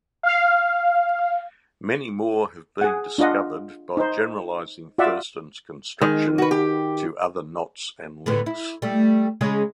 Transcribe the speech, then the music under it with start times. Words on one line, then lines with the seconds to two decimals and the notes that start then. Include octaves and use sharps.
Many more have been discovered by generalizing Thurston's construction to other knots and links.
0.23 F5
2.81 G#4 F#5
3.18 D4 F4 D#5 F#5
3.97 D#4 C5
4.98 F4 F#4 D5 E5 F#5
6.01 D#3 G#3
6.38 F#4 B4
6.51 G4
8.26 A2 D3 B3
8.46 E4
8.82 G3 A3
9.41 C#3 G#3 C#4